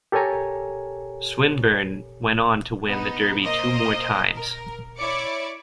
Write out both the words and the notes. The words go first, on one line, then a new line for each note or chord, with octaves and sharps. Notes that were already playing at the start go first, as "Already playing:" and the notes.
Swinburn went on to win the Derby two more times.
G4 A4 A#4 C#5 G#5 A#5
B3 D#4
A#3 A#4 C5 D#5
A#4
E4 C#5 D5 D6 C#7